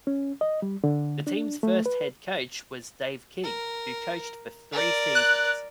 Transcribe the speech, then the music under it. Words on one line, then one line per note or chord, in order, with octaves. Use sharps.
The team's first head coach was Dave King, who coached for three seasons.
C#4
D#5
G3
D3
D4
A3
B4
A#4
A#4 D5
F#6